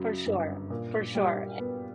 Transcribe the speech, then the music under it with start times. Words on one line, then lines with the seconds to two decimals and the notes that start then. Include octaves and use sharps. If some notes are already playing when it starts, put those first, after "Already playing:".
For sure, for sure.
Already playing: F#2 C#3 F#3
0.26 G1
0.70 A#2
1.15 G3
1.59 B3